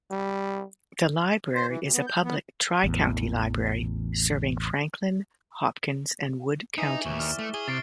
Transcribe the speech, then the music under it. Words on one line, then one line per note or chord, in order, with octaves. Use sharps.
The library is a public Tri-County library serving Franklin, Hopkins, and Wood counties.
G3
C5
E3
D2
B3
G6
B3
A1 E2
E3 D#4 E5
D#2 C#6 E7
D5 F6
A3
G#4 G7
C3 A6 C7 D7